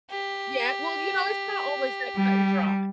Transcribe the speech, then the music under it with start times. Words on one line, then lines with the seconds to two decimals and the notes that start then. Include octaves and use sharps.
Yeah, well, you know, it's not always that cut-and-dry.
0.11 G4
2.17 G3